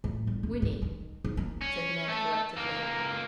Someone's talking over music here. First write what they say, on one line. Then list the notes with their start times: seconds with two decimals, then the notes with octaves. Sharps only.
"Whinny," said Ned correctively.
0.04 A2
0.27 G1
0.43 A1
0.62 G#2
0.82 D#3
1.24 G#2
1.37 A#3
1.61 C#4
2.08 A3 A4
2.56 C#2 A#3